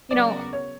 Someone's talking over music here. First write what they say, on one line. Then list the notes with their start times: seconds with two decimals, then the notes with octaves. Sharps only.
you know,
0.11 C#3 F#3 B3 F#4 A#4 D5
0.53 C#5